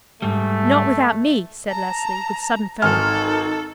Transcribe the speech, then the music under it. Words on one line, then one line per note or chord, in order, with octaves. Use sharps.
"Not without me," said Leslie with sudden firmness.
G#2 G3 A3
A5 A#5
G#1 D#4 A4 G#5 F6